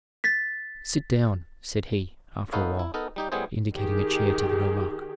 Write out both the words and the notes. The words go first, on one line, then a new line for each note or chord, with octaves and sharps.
"Sit down," said he, after a while, indicating a chair to the nomarch.
A6 B6
B3 D#4 A4 B4 C#5 F5
E4
B3 D#4 A4 A#4
G3 D#4 G4
A2 G3 B3 E4 G#4 C5
D#3 G4 G#4